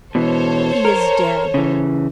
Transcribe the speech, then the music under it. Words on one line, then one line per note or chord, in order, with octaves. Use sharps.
He is dead.
B2 E3 A4 C5 C#5
A#4
C#3 E3